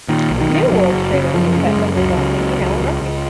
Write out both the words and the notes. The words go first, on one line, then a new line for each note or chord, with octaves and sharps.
New World's trailers were cut by Joe Dante and Alan Arkush.
A#2 D#3
B1
D#3
B1
F#1 F#3
F#1
C#3
F#2 F3
C#3
G#3
F#2
C#2 F#3
C#3
C#2
C#2
C#2
C#2